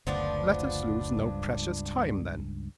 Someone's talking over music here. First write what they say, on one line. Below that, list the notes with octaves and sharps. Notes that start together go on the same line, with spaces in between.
Let us lose no precious time, then.
F#1 D2 D3 F3 B3 D4
C#2 G2